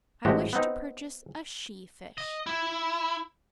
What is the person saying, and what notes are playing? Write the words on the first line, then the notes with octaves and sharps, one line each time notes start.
"I wish to purchase a she-fish."
A1 A2 G#3 F#4 G4 C5
B3 C4 D#4
D#5
E4